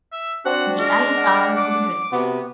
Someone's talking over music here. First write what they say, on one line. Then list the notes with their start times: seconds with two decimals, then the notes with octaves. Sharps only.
The eyes are ruby red.
0.12 E5
0.45 C4 D4 F#4 F#5
0.79 G#3 A#4
1.17 F#5
1.57 D6
2.12 C3 B3 F#4